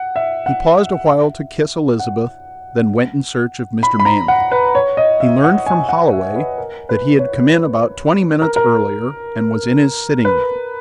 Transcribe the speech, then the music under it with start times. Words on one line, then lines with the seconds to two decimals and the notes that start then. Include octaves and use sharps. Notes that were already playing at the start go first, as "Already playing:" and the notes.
He paused a while to kiss Elizabeth, then went in search of Mr. Manley. He learned from Holloway that he had come in about twenty minutes earlier and was in his sitting-room.
Already playing: F#5
0.16 E5
0.46 F#5
1.99 F#5
3.83 B5
4.00 B5
4.06 A#5
4.28 F#5
4.52 B4
4.75 C#5
4.97 D#5
5.20 E5
5.44 F#5
5.66 G#5
5.89 F#5
6.12 E5
6.36 B4
6.58 A#4
6.89 B4
7.19 C#5
7.50 B4
8.42 A#4
8.56 A#4
10.25 B4